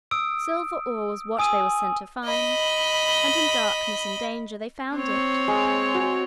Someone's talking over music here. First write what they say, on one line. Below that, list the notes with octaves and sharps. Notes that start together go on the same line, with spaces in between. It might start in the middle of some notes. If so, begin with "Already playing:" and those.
Silver ore was what they were sent to find, and in darkness and danger they found it.
D#6 E6 D7
G#5 D#6 E6 D#7
D#5 B5
C4 C#5
G#3
F#4